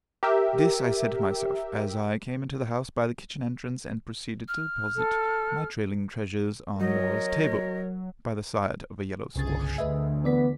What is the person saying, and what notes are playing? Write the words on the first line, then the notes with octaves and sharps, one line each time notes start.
This I said to myself, as I came into the house by the kitchen entrance, and proceeded to deposit my trailing treasures on Norah's table, by the side of a yellow squash.
G4 A#4 E5
F6
A4
F#3 A#4 C#5 D#5
G1 C2 C#3 G#4 A6
D2 B4 D#5 E5
E3 B3 D5 B6